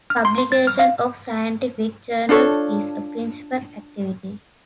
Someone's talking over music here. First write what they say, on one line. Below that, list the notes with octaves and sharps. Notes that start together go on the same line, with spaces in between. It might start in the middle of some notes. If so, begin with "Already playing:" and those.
Publication of scientific journals is a principal activity.
F6
C6
C6
A6
F6
F5
D4 F4 A4 C#5